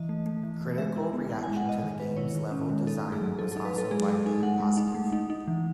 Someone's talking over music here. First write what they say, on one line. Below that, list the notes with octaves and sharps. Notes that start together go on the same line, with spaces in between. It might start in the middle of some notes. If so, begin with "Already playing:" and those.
Critical reaction to the game's level design was also widely positive.
Already playing: E3 D#5
A3
A3
E3
A3
G#3 E5
E4
B3
E4
G#5
G#3
F#5
B3 D#5
D#3 D#5
G#3 B4
E4 C#5
D#3
C#4
G#3
D#4 A4
A3
G#4
F#3
F#3 A4
A4
D#4
B4
F#3 A4
G#3 G#4
G#3 A4
D#4 G#5
G#3 F#5
G#3
D#4
A3
D#4
D#4
E3